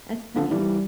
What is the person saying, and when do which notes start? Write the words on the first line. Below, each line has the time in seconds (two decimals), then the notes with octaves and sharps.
That's funny.
0.36 D3 F3
0.51 E3 G3